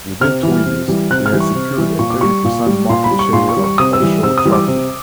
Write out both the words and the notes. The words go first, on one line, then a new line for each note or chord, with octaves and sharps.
Within two years it had secured a thirty-percent market share of the offshore traffic.
C3 F6
E3 G3
C3
E3 G3
C3 F#6
F6
E3 G3
C#6
C3
E3 G3
A#2 C#6
D6
G3 C#6
A#2
G3
A#2 C6
B5
G3
C#6
A#2 C6
C#6
G3
C#6
C3 D#6
E6
E3 G3
C3 E6
D#6
E3 G3
D6
C3